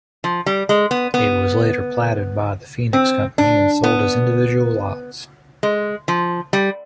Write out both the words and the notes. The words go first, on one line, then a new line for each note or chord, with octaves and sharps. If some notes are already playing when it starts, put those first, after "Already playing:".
It was later platted by the Phoenix Company and sold as individual lots.
F3
G3
G#3
B3
B3
C4
D4
B3
G#3
F3
G3